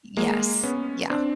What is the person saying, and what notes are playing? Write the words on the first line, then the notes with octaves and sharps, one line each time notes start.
Yes. Yeah.
G#3 A#3
B3 C#4
C4 D4